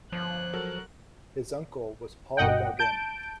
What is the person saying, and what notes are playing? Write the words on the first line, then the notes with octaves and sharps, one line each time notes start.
His uncle was Paul Gauguin.
G1 F3 F#6
F#3 A4 A#4
G1 B2 D#5 F#5 G5
A5 G6 D7